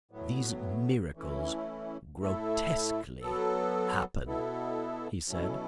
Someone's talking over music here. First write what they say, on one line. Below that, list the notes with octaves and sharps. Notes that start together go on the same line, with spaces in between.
"These miracles--grotesquely--happen," he said.
A2 F#3 B3
E3 A3 C#4 E4
A2 A3 E4 A4
F#3 B3 A4
B2 B3 E4 A4
B2 F#3 C#4 E4 A4